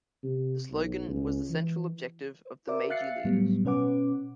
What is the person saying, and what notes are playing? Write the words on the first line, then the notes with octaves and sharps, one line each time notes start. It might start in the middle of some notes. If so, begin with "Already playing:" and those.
The slogan was the central objective of the Meiji leaders.
C3
B1
C#2
E3
F#4 A#4 C5 D5 E5 D6
E5 F5 F#6 A6 C7 C#7
A2 F#3 G3 B3
B2 C#4 B4 F#5 D6